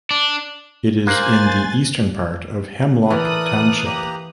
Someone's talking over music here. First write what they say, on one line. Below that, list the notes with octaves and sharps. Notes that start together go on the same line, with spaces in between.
It is in the eastern part of Hemlock Township.
D4
A#3 C5 G#5 F#6 A6 F#7
E3 A4 A#4 D5 D#6 F#6
A#3 G4 A#5